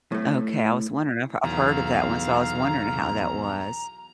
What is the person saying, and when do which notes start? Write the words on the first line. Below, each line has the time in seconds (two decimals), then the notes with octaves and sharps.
Okay, I was wondering if I've heard of that one, so I was wondering how that was.
0.12 A2 A3
1.44 B1 E2 F5 A#5